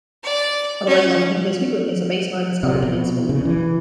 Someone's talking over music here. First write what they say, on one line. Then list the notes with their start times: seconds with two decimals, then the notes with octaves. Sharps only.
Otherwise Lofn appears frequently as a base word in skaldic kennings for woman.
0.24 D5
0.87 C#4
2.63 C3
2.83 B2
3.29 C#3
3.45 E3